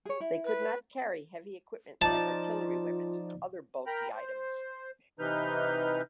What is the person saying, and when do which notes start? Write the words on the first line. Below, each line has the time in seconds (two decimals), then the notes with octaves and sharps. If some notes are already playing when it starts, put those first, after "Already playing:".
They could not carry heavy equipment like artillery weapons and other bulky items.
0.05 G#4 C#5
0.20 E4
0.45 B4
2.02 F3 D#4 F4 D5 A5
3.87 A#4 G5 A#5 B5
4.15 C5
5.19 C3 E3 D#4 B4 F6 G6